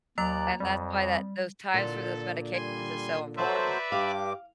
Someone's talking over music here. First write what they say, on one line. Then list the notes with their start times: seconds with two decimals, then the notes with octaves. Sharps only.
And that's why that those times for those medications is so important.
0.18 D#2 F#3 D5 A#5 F#6
0.60 F2 G3
1.74 A#2 D3 A4
2.54 G3 G#5 C6
3.37 F#3 A4 B4 C5 D5 E5
3.92 G2 G4 F5 D6